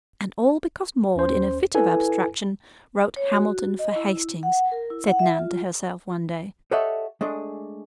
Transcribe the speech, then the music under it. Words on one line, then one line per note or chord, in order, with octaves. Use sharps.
"And all because Maude in a fit of abstraction wrote 'Hamilton' for 'Hastings,'" said Nan to herself one day.
D#2 C#4 C5
E4 A4 B4 G#5
C#5
F#4
D#5
E4
F#5
A#4
E4
F#5
E5
F4
G4 A4 C#5 D#5 E5 F#5
G#3 A3 D4 G#4